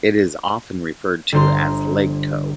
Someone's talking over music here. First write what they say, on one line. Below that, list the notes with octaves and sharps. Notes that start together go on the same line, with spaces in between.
It is often referred to as "LegCo".
G1 D3 C5 A#5 C6